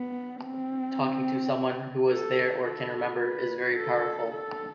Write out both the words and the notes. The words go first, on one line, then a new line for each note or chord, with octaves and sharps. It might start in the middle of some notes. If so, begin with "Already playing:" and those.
Talking to someone who was there or can remember is very powerful.
Already playing: B3
C4
A4
A4
B4
A4
A4